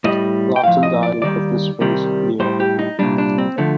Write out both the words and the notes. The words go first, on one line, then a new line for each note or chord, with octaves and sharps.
Lawton died in Clifton Springs, New York.
A2 G3 D#5
G5
A2 F3 F5
D#5
D5
D#2 D#3 G3 D5
C2 C3 D#3 G3
A2 G3 C5
G4
D#4
C2 A#2 G3 D4
D4
C4
D3 F3 A3